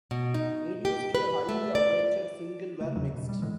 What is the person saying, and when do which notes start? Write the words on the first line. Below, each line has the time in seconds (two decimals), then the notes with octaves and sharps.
Reviews to the highly-awaited single were mixed.
0.11 B2
0.34 D#4
0.85 G4
1.15 B4
1.49 A3
1.75 D5
2.81 C#3 A3
2.96 E1 E2 C#3 F#3
3.14 B2
3.29 G3
3.42 A2 D3 E3 G#3